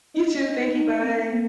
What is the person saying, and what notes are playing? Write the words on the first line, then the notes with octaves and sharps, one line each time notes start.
You, too. Thank you. Bye.
D#4
D#4
D#4
C4
A#3